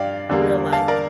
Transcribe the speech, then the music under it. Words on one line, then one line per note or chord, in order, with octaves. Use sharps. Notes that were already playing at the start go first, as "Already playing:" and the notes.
Real life.
Already playing: G2 D5 F5 G5
E2 D3 G3 A#3
F5 A5
A#4 D5